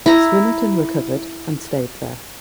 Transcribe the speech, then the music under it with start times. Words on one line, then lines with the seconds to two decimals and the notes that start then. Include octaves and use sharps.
Swinnerton recovered, and stayed there.
0.06 E4 A#5